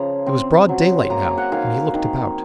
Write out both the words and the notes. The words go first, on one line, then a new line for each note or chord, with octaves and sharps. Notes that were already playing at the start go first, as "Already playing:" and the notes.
It was broad daylight now, and he looked about.
Already playing: C#3 F3 A#5
C4
F#3
A#3 A#5
G#5
F#5
D#3 F5 G#5
D#3